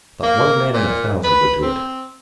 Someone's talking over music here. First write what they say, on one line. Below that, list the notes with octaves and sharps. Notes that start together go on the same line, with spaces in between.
Not one man in a thousand would do it.
A#3
A#2
B4
C4